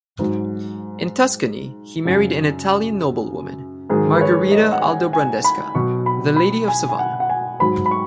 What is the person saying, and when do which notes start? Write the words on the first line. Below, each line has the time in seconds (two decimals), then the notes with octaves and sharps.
In Tuscany, he married an Italian noblewoman, Margherita Aldobrandesca, the Lady of Sovana.
0.19 G#2 F#3
2.05 F#2 C#3 F#3
3.90 G#2 D#3 F#3 G#4
4.14 B4
4.21 C#5
4.52 D#5
4.72 F#5
4.82 G#5
5.13 G#5
5.45 B5
5.75 B2 F#3 C#6
6.06 B5
6.36 B5
6.68 G#5
6.89 G#5
6.99 F#5
7.20 F#5
7.30 G#5
7.60 G#2 F#3 B5
7.86 B5
7.91 C#6